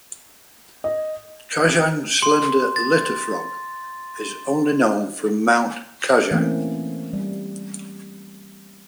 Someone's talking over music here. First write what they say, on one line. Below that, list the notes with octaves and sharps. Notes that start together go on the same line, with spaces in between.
Kajang slender litter frog is only known from Mount Kajang.
D#5
C6
A6
E3 A3 A#3 C4 C#4
G3